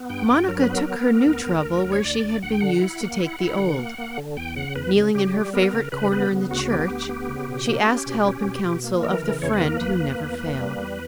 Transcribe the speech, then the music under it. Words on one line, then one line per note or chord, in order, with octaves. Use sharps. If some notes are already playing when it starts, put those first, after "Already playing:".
Monica took her new trouble where she had been used to take the old. Kneeling in her favourite corner in the church, she asked help and counsel of the Friend Who never fails.
Already playing: B3
G2 G5
G2
F#3 A#4
B4
B3
A#4
B3
B3
D2
D2
D2
D2
C#5
D2 D5
D2
D2 F#5
G5
D3 F#5
E4
A#3
E4
E4
D3
A#3
A#3
D3
E2 G5
C#3 F#5
E2 B4
C#3
C#3 G4
G3
B3 A#4
C#3
C#3 B4
B3 B4
C#3
D2 F#4
B3 G4
D2
B3
C#3
B2
A#3
C#4
B2
C#4
B2
B2
A#3
E3 A#4
C#3
E2 C#5
B4
A#3 A#4
E2 B4
A#3
E2
A#3
G3
E2